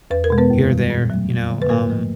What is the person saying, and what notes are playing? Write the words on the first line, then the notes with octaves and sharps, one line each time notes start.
here or there, you know, um,
E2 B4
A#4
B2 G#3
B3 B4
F#2
D#3 G3
A#2
F#3 A3
F2
D3 F3 A#3
B4
G#2 A#3 A#4
F3 A3